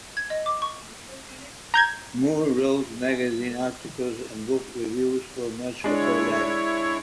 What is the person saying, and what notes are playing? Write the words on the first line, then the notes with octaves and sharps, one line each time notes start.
Moore wrote magazine articles and book reviews for much of her life.
G#6
D#5
D6
C#6
A#5 G6 G#6
G#3 D4 E4 C#5